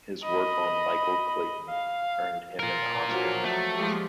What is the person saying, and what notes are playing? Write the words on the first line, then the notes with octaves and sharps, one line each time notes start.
His work on "Michael Clayton" earned him an Oscar nomination.
D#5 B5
F5
F4 A#4
F3 F#3 D4
A3
F3 G#3 G4